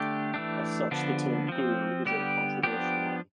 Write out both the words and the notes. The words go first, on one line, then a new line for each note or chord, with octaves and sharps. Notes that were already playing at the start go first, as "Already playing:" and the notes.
As such, the term "guru" is a controversial one.
Already playing: D3 A3 D4 G4
E3 A3 D4
D3 F3 B3 D4
F3 C4
D3 G3 B3 G4
F3 B3 D4 G4